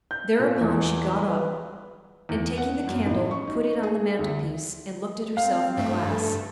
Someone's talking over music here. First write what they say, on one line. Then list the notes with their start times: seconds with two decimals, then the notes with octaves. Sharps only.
Thereupon she got up, and, taking the candle, put it on the mantel-piece and looked at herself in the glass.
0.11 G6
0.39 A#2
0.61 E2
1.12 G3
1.28 B4
2.29 E2
2.58 F#5
2.87 F#2
3.06 A1
3.31 C#6
3.47 D#4
3.83 G#4
4.19 D2
5.37 C4 F5
5.77 G2 A3
6.10 A4